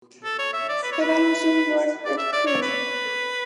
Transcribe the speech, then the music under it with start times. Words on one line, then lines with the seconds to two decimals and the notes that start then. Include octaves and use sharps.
He then resumed work at Crewe.
0.24 A4
0.39 C#5
0.53 E5
0.69 D5
0.83 B4
0.92 C#5
1.01 B4
2.05 D5
2.18 E5
2.32 D5
2.47 C#5
2.62 B4